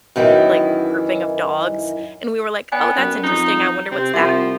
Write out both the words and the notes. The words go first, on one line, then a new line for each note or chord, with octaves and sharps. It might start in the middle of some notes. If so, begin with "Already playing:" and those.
like, grouping of dogs. And we were like, "Oh, that's interesting. I wonder what's that
F#2 D#3 E3 E4
B3 D5 G5 G#5
F#2
F2 D#4
C3 C4
C2 F3 E5 F#5